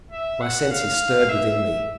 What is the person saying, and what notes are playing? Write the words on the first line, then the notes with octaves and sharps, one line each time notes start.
My senses stirred within me.
E5
F#5
F5
E5